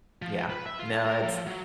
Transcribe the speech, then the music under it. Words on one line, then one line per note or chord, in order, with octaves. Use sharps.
Yeah. No, it's
F3
B4
E5
F4
A5
A#4
F3
F#3